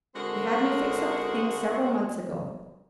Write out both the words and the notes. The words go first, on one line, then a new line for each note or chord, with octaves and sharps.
She had me fix up the things several months ago.
D3 G#3 C4 F#4 A4 A#4